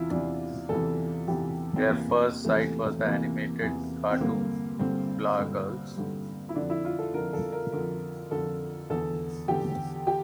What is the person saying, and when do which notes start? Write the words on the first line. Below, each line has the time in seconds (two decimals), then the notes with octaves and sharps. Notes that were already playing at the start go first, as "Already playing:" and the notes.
Their first site was the animated cartoon "Blah Girls".
Already playing: E2 C3 E3 E4 F4
0.10 E2 C3 E3 D4
0.69 E2 C3 E3 A4
1.28 E2 C3 E3 G4
1.76 C4
1.86 E2 C3 E3 A#3
2.45 E2 C3 E3 A3
3.04 E2 C3 E3 A#3
3.62 E2 C3 E3
4.10 C4
4.20 G2 D3 A#3
4.79 G2 D3 C4
5.38 G2 D3
5.97 G2 D3
6.49 E4
6.55 F2 D3 D4
6.70 E4
6.85 F4
6.99 A4
7.13 F2 D3 A#4
7.33 A4
7.52 A#4
7.72 F2 D3 A#4
8.31 F2 D3 A4
8.90 E2 D3 A4
9.48 E2 D3 G4
10.07 G4